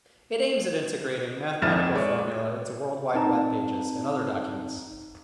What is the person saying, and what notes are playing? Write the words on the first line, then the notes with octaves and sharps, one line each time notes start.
It aims at integrating mathematical formulae into World Wide Web pages and other documents.
A#1 F2 E4 F6 A6 E7
G#3 C#5 D5
C4 D#4 A5 A#5